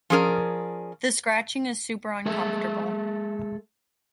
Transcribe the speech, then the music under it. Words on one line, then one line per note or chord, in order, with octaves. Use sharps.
The scratching is super uncomfortable.
F3 C#4 G#4 A#4 D5
G#3 G#4 A4 E5